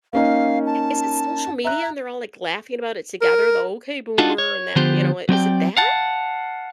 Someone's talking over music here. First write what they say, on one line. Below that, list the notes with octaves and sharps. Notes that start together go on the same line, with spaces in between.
Is it social media, and they're all, like, laughing about it together? The, "Okay boomer," and that you know, is it that?
A#3 C#4 D#4 F5
A5
E5 A#5 F#6
A#4
D4 D#4 F4 F#4 A4
C#5
D3 F3 B3 F4 G4 C5
F#3 C4 D5 G5
F5 F#5 A5